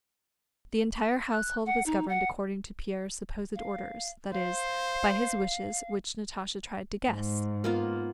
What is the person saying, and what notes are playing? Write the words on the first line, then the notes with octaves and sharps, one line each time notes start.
The entire household was governed according to Pierre's supposed orders, that is, by his wishes which Natasha tried to guess.
F#6
F#5
D#4
F#5
F5
C5 F5
G#2
A#3 B3 F4